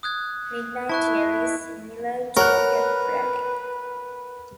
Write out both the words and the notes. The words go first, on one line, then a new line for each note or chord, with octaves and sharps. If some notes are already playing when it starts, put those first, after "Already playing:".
Midnight Yell is similar to a pep rally.
D#6 F#6 G#6
E4 A5 C#6 F#6
A#4 B4 C#5 F#5 F6 F#6